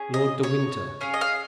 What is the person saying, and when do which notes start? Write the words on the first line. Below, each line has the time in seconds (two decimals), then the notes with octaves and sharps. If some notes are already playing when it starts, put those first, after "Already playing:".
"Lord de Winter."
Already playing: C#4 G#4
0.14 D#5
0.43 C#5
1.01 C#4 G#4 F5
1.14 D#5
1.21 F5